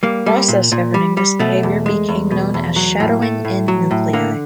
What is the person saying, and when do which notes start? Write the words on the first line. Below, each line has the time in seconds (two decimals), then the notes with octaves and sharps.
The process governing this behavior became known as shadowing in nuclei.
0.03 G3 A#3
0.26 G3
0.48 A#2
0.72 A#2
0.94 G3
1.17 G3
1.39 B2 A3
1.63 E2
1.86 G#3
2.09 E2
2.31 B2
2.54 E2
2.76 F#3
3.00 A2
3.22 A3
3.45 A2
3.68 F#3
3.91 A2
4.13 D3 A#3